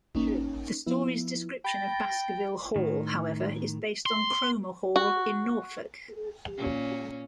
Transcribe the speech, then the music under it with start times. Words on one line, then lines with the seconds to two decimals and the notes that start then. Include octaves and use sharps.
The story's description of Baskerville Hall, however, is based on Cromer Hall in Norfolk.
0.15 A#3 C#4 D#4
0.86 F3 B3 E4
1.65 G5 B5 A6 A#6
2.76 A2 D#3
4.06 C6
4.96 F#4
6.57 A#2 C#4